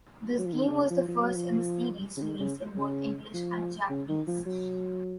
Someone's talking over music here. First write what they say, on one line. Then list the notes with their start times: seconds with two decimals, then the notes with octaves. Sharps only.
This game was the first in the series released in both English and Japanese.
0.39 F#3
0.46 F3
0.52 D#3
0.67 B2
0.71 C#3
0.90 F3
1.08 F3
1.21 F#3
1.35 F3
2.17 C#3
2.21 D#3
2.40 C#3
2.78 C#3
3.34 F3
3.89 C#3
4.08 D#3
4.27 F3
4.46 F#3